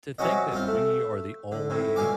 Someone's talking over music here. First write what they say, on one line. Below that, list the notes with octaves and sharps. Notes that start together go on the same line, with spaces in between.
to think that we are the only
C3 F3 F#3 C#4 F#4 D#5
G3 C4 F4
A3
D3
A2 C3
C#2 A#2 F5 G#5 D6